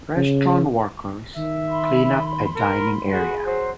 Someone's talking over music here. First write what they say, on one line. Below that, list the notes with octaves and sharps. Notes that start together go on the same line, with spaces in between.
Restaurant workers clean up a dining area.
C#3
D#3 E5
B5 C6
A#4
F#4 G#4
F#3 C5